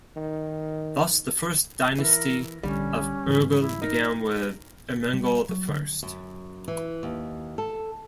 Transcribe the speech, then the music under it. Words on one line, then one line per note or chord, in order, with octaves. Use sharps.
Thus the first dynasty of Urgell began with Ermengol I.
D#3
E3 A#4
A#1 D3 G3 C#4
G#2 E3
E4
D#4 A#4
G3
F#3
D3
F#2
E3
D#2
A4